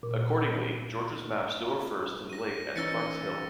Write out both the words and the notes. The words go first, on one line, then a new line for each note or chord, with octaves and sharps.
Accordingly, Georgia's map still refers to the lake as Clarks Hill.
A#2
A#6 D#7
E3 C#4 D#4 E6 A6 C#7